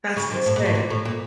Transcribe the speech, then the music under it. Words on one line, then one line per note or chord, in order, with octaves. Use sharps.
That's insane.
C#3
C3 D#3
A2
A#2
A2
A#2
A2
A#2